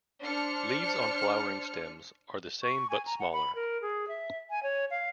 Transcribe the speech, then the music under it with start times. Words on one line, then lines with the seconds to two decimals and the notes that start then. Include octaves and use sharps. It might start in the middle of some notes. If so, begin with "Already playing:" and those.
Leaves on flowering stems are the same but smaller.
0.23 D4 C5 F6 C#7
2.63 C#6
2.90 G#5
3.06 A#5
3.20 F#5
3.33 B5
3.55 A#4
3.82 G#4
4.08 E5
4.50 G#5
4.63 C#5
4.91 F5